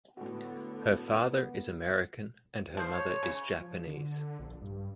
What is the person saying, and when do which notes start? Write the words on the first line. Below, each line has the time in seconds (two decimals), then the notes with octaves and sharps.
Her father is American and her mother is Japanese.
0.17 A2 D3 B3 F#4
2.77 F3 C5
2.94 C#5
3.23 C#3
3.60 F3
3.87 D3
4.39 A#1
4.62 G2